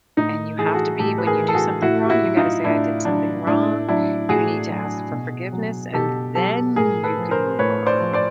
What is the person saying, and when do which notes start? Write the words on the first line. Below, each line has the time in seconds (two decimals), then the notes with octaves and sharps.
and you have to be when you do something wrong, you gotta say, "I did something wrong," you need to ask for forgiveness, and then you can move on.
0.17 A2 D#4
0.58 E3 G#4
0.66 A4
0.74 F#4 G#4
0.99 A2 G4 A4
1.18 B4
1.26 G#4 A#4
1.41 E3
1.48 A4
1.54 F#4 G#4
1.82 A2 E4 F#4
2.03 G4
2.10 E4 F#4
2.23 F#3
2.37 D#4 F4
2.64 A2 D4 E4
3.05 F#3 D4
3.47 A2 D4 E4
3.88 F#3 D4 E4
4.29 A2 F#4 G#4
4.70 F#3
5.11 B2
5.52 F#3
5.93 B2 G4 A4
6.35 F#3 G4 A4
6.76 A2 G#4 A#4
7.03 A4 B4
7.18 F3
7.31 A#4 C5
7.59 A2 B4 C#5
7.86 C5 D5
8.00 F3
8.13 C5 D5